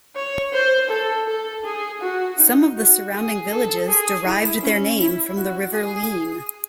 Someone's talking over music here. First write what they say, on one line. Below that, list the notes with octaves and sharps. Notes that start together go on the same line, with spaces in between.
Some of the surrounding villages derived their name from the River Leen.
C#5
C5
A4
A4
G#4
F#4
D#4
F#4
G#4
A4
G#4
E4
C#4
E4
F#4
G#4